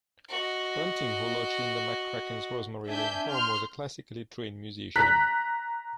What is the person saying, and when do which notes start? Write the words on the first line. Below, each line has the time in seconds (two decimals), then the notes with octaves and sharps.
Bunting, who lodged in the McCracken's Rosemary Lane home, was a classically trained musician.
0.29 F#4 D#5
2.87 D4 E5 G#5 G6
3.28 C6 F6 G6
4.96 A#5 F#6 B6